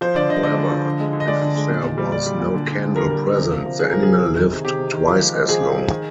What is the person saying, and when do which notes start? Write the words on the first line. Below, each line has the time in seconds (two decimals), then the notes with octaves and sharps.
However, if there was no candle present the animal lived twice as long.
0.01 F3 C5
0.15 D3 D5
0.29 D3 D#5
0.43 D3 D#5
0.57 G#3
0.71 F3
0.85 D3
1.00 G#3
1.13 D3
1.20 D#5
1.27 G#3 D5
1.42 D3
1.56 G#3
1.70 A#2
1.84 A#2
1.98 G3
2.12 G3 D5
2.26 G3
2.40 A#2
2.54 D3
2.68 D3
2.82 D3
2.96 G3 A#4
3.10 G3
3.23 D3
3.38 C3
3.51 F3
3.66 F3
3.79 C3 G#4
3.91 F3 A#4
4.03 G#4
4.08 C3
4.22 C3
4.35 D#3
4.49 C3
4.64 C3 G4
4.78 C3
4.92 D#3
5.06 F3
5.20 G#3
5.34 G#3
5.48 F3 G#4
5.62 F3
5.77 F3
5.90 D#3